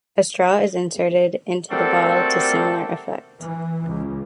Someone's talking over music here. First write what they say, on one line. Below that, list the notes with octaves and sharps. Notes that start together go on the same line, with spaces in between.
A straw is inserted into the bottle to similar effect.
G3 A3 A#3 C4 F#4 A4
E3
C#2